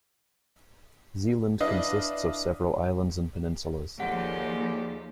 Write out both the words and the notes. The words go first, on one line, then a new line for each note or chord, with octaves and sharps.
Zeeland consists of several islands and peninsulas.
D4 E4 B4 D#5 F5
D#2 D3 D#3 F3 G4 G#4 F#5